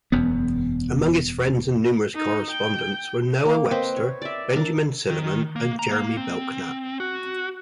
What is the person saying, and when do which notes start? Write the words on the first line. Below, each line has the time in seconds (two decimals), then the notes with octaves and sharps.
Among his friends and numerous correspondents were Noah Webster, Benjamin Silliman and Jeremy Belknap.
0.12 E1 F#2 B3
2.15 D#4
2.51 G5
3.45 A#3
3.71 C4 B4 C5 D#5
3.97 C#5
4.22 D5 E5
4.56 D4 A#4
5.10 D#3
5.56 A#3
5.79 A#5
5.91 A#3
6.17 C4
7.00 F#4